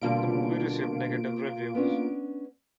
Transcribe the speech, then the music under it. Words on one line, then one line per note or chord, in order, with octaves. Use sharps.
The movie received negative reviews.
B2 D3 G3 A#3 F4 D7
B3 C#4 D4